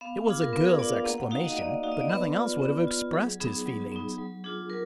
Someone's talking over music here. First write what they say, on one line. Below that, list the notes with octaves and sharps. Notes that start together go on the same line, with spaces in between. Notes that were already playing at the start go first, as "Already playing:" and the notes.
It was a girl's exclamation, but nothing else would have expressed his feelings.
B3 F5
D4 F4 G#4
A#4
B3 B4
G#4
D4 F4 D5
F5
A#3 F#5
F#5
D#4 F#4 F5
D#5
A#3 D5
D#4 F#4 F5
D#5
D5
B3 B4
F4
B3
F4
F#3 G#4
B3 D#4 G#4
F#3
B3 D#4
F#3
D4 F4 G#4
F#3 A#4